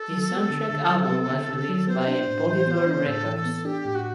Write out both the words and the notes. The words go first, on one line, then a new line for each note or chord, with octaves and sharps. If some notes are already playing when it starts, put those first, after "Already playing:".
The soundtrack album was released by Polydor Records.
Already playing: A4
F#3
B3
D3
D3
F#3
B3
D3
D3
F#3
B3 C5
D4
A2
E3
B3
D4
A2 A4
E3
A4
B3
D4 G4
A2
F#4